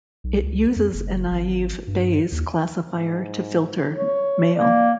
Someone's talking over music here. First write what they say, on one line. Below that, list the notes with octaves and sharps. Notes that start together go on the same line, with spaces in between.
It uses a naive Bayes classifier to filter mail.
B1
C#2
F2
F#1
G#1
G2
D#2
G#2
C#5
A#3 D5